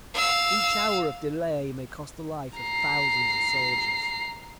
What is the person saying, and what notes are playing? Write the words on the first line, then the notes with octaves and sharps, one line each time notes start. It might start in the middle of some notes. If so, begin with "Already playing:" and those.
Each hour of delay may cost the life of thousands of soldiers.
F5 E6
A#5 C7